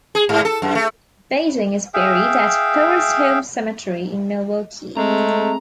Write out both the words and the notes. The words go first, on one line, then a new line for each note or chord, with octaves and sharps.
Bading is buried at Forest Home Cemetery in Milwaukee.
G#4
G#2
A4
F#2
A3
G#4 E5 F5 G5
G#3 A3 C4 G#4 A4 A#5